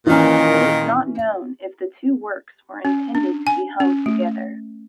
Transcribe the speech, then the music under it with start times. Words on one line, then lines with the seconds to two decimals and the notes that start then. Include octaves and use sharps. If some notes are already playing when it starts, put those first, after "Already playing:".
It is not known if the two works were intended to be hung together.
0.07 A#2 D#3 E3 C#4
2.85 C#4
3.15 D4
3.47 G#5
3.80 C#4
4.06 A3